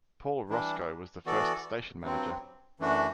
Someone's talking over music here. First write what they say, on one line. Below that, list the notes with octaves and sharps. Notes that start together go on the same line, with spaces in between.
Paul Roscoe was the first station manager.
E3 G3 D4
E3 B3 F#4 A4 D5
G2 F#3 C4
F#2 E3 A3 D4 F#4